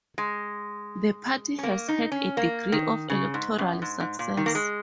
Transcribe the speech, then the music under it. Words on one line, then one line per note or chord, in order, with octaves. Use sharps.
The party has had a degree of electoral success.
G#3
C#4
A#3
D#4
C#4
A#3
D#3
C#3
G#2
F#2
G#2
G#2
A#2
D#3
A#3
G#3